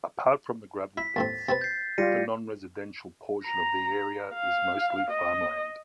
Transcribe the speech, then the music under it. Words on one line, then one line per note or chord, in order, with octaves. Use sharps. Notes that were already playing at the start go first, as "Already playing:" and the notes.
Apart from the gravel pits, the non-residential portion of the area is mostly farmland.
E4 B6
D#2 A2 C4 A6
C3 C4 B4 A6
G6 C7
G3 F4 A#6 C#7 D#7
A#5
F5
D#5